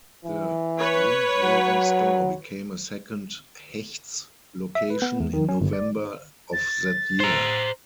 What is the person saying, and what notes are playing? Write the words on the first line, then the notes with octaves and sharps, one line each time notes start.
The Lynnhaven store became a second Hecht's location in November of that year.
E3
B4 C#5
F#3
E5
B4
B3
E2
D#3
C#4
G1
D5
A6
C5 A#5